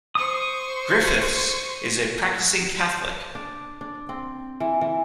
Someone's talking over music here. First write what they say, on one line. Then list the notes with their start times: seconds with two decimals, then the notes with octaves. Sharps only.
Griffiths is a practising Catholic.
0.15 C5 C#6 D#6
3.35 D4
3.81 D4
4.09 C4
4.60 E3
4.81 E3